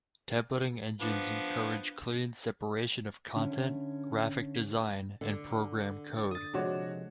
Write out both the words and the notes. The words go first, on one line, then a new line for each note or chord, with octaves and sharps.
Templating engines encourage clean separation of content, graphic design, and program code.
F3 B3 D4
D3 C#4 E4
D3
D#6 A6
C3 F3 G#3 D4 F#4 C#5